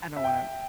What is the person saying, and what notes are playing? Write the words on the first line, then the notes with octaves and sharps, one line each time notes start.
I don't wanna
E5
G5